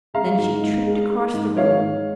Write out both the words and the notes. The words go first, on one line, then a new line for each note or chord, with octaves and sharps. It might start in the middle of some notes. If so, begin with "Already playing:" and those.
Then she tripped across the room.
G#3 F5 A#5
G#2
G#2
G#3
G#3
G#2
G#2 C#5 F5
G#2